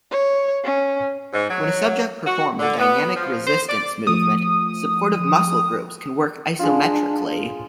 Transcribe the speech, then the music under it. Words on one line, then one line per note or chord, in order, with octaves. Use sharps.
When a subject performs a dynamic resistance movement, supportive muscle groups can work isometrically.
C#5
C#4
G#2
F#3
F#4
D3
B3
F3
C5
D5
F3 A3 D#6
G#3 D4 F4